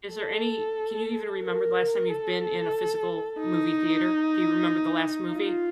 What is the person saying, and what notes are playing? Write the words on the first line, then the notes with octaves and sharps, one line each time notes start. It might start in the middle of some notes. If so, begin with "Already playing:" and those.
Is there any can you even remember the last time you've been in a physical movie theater? Do you remember the last movie?
A4
A#4
A4
D#4
F4